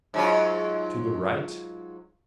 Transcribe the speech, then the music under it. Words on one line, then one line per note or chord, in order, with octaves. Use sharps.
To the right.
G#2 F#3 F4